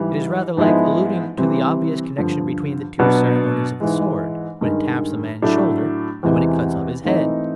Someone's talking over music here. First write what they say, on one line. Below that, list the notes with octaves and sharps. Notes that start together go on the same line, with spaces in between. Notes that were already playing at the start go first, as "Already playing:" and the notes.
It is rather like alluding to the obvious connection between the two ceremonies of the sword: when it taps a man's shoulder, and when it cuts off his head.
Already playing: G#2 E3 G3
G#2 F3 G#3 B3 E4
C3 E3 G3 C4
G2 D3 F3
B2 F#3 B3 D4
G#2 E3 G#3
G2 D#3 G#3
A2 F#3 A3 D4
E2 C3 E3 G#3
G#2 E3 A3 C4 D#4